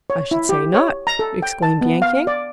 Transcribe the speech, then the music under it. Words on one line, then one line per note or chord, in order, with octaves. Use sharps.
"I should say not!" exclaimed Yank-Yank.
C#5
E4
G4
C#5
A#5
A4
G5
A5
B3
F5
D5